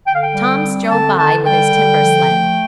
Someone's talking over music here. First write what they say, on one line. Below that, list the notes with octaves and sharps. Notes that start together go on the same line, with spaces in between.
Tom strode by with his timber sled.
D3 G5
F5
G5
G3
C4
D3 A5
D3 A5
G3 G5
D3
F3
A3